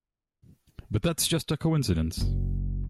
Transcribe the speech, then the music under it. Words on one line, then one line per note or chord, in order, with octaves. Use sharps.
But that's just a coincidence!
F#1 F#3